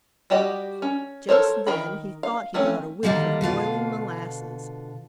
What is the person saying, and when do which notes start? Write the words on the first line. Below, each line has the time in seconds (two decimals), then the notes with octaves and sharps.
Just then he thought he got a whiff of boiling molasses.
0.30 G3 F#4 G4 D5 D#5
0.82 C#4
1.29 A4 A#4 C5 C#5
1.67 D#3 A#4 G5 B5
2.23 F5
2.54 F3 A3 C4 C#4
3.03 D3 D#3 G3 A#3 C4
3.41 B2 D3 F4 F5